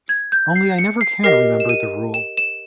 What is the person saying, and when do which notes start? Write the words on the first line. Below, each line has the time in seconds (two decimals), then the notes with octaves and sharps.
Only I never can remember the rule.
0.09 G#6
0.32 G6
0.56 C7
0.78 C#7
1.01 C7
1.23 G4 A#4 D#5 C7
1.60 E7
1.69 D#7
2.14 E7
2.37 E7